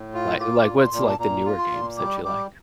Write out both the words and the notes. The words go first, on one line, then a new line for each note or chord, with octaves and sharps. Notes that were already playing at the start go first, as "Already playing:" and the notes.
like like, what's, like, the newer games that you like?
Already playing: A2
F4
F4 D6
A#2
C6
A#2
A5
A#2 A#5
F4
C6
A#2
G3 D6
G3 D6